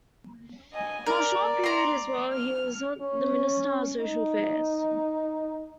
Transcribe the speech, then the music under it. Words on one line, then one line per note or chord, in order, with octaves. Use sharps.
For a short period as well he was the Minister of Social Affairs.
D#5 G#5
A#4 D5
A#5 C6
F6
C#4
D#4